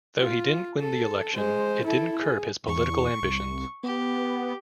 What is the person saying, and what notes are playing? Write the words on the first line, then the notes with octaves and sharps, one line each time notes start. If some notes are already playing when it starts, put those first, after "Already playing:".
Though he didn't win the election, it didn't curb his political ambitions.
F4
A4
G#3 C5
E4 A4
G#4
E2 C#6
C2
B3 G4